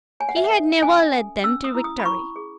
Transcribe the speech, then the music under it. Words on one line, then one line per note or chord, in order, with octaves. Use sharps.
He had never led them to victory.
C#5 G#5
F#5
E5
F#5
A4
C#4 G#5
A4
C#4 E6
D#6
E4
D#6
B5
E4 C#6
G#4